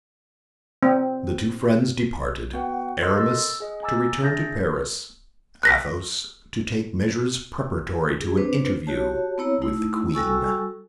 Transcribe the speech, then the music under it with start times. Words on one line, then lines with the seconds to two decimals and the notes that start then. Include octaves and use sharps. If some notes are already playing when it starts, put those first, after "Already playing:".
The two friends departed--Aramis to return to Paris, Athos to take measures preparatory to an interview with the queen.
0.83 C4
2.53 B3 F#4 B4 F#5 G5
3.02 A4 A#4 D#5 C6 E6
3.18 E6 A6
3.60 G#4 D#5
3.83 G#5 A#5 D6 E6 A6
4.22 D4 G#4 E5 G6 A6 A#6
5.63 F#6 A#6 B6
8.21 G#4
8.37 C4 D4 B4 C5
8.87 F#4 G4 C#5 A5
9.38 B3 C4 E4 C#5 A#5
9.62 A3 D#4 E4
10.14 G3 F#4 A4 G#5 C#6 E6